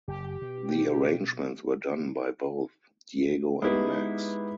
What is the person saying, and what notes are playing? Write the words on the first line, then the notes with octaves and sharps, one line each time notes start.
The arrangements were done by both Diego and Max.
F#1 G4
B2
G#3 B3 D#4 E4 G4